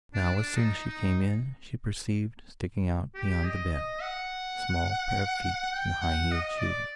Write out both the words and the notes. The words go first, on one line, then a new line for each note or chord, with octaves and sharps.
Now, as soon as she came in, she perceived, sticking out beyond the bed, a small pair of feet in high-heeled shoes.
D4
D4
D#4
D#4
G4
D#5
D#5
F#5
G5
F#5
D#5
D5